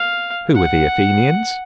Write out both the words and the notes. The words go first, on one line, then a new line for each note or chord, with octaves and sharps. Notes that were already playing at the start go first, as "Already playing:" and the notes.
Who were the Athenians?
Already playing: F5
F#5